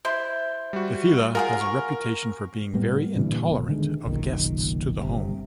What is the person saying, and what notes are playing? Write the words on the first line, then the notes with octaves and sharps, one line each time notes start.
The Fila has a reputation for being very intolerant of guests to the home.
E4 C5 C6
G3 F#4
F4 G#4 A#4 F#5
C#6
A2 G3 B3
G2 A#2 D3 E3
D#1 B2
D3 D#3 G#3
F#1 B1 A#2 D#3
G1 C3